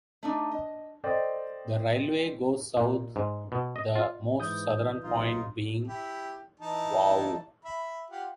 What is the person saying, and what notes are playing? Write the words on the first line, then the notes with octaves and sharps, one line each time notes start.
The railway goes south, the most southern point being Wau.
A3 D4 D#4
D#5
A4 C5 D5 D#5 G5
A#2
G#2
B2
D#5
F4
G#2 E3 D#6 G6
B1 D#4 F4
E4 G4
E3 D#4 A5
E5 B5
F4 G4 F#5